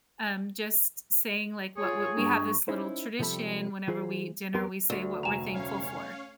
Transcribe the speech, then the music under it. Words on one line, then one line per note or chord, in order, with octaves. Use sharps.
um, just saying, like, what what we have this little tradition whenever we eat dinner, we say what we're thankful for.
F4 G#4 C#5
G2 A#3 C#6
C#4 D#4 E4 C5
C3 F3 G3 A4 B5
E3 F4 G#4 C5
F2 B3 G4 A#4 C6
D2
F1 G#5 A#5 E7
C#4 C#5 F5